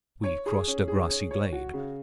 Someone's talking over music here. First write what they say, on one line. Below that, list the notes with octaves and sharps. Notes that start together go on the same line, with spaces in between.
We crossed a grassy glade.
C#5
G#4
C#4
G#4
C#5
C#5
F#4
C#3